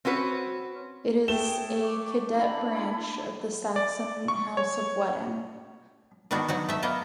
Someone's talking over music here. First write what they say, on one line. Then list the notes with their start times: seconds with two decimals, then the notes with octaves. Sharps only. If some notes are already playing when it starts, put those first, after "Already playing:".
It is a cadet branch of the Saxon House of Wettin.
0.05 C4 C#4 F#4 B4
1.28 A3 G#4 G5 E7 G7
1.81 C#6 D6
2.33 D4 E4 B5
3.76 D5
4.28 C#6
4.57 C#5
6.31 D#3 B3 D4 D#4 F#4
6.48 F#3 D#4 F#4
6.69 A3 E5
6.83 A#3 B3 D#5